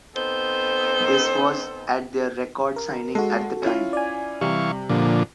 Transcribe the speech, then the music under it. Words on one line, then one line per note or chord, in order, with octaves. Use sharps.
This was at their record signing at the time.
B3 C4 D#4 A4 C5
A#4
G#3 F#4 A4
C#4 E4 F4
D5 G#5
C3 E3 G3 F5 C#6
A#2 D3 F3